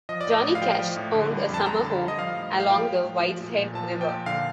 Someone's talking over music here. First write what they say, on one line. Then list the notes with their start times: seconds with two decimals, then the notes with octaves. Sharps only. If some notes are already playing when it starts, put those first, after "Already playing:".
Johnny Cash owned a summer home along the Whiteshead River.
0.09 F3 D#5
0.21 D5
0.27 A2 D#5
0.45 A2
0.55 F5
0.61 F3 G5
0.79 F3
0.96 A2
1.14 D3
1.31 G3
1.49 F2
1.54 A5
1.66 F2 A#5
1.83 D3
2.01 G3
2.08 D#5
2.18 F3 F5
2.36 A2
2.53 A2
2.60 F5
2.70 F3 G5
2.88 F3
3.05 A2
3.22 F3
3.40 A#2
3.58 A#2
3.75 F3 A5
3.92 F3
4.01 G5
4.10 A#2
4.26 D3 F5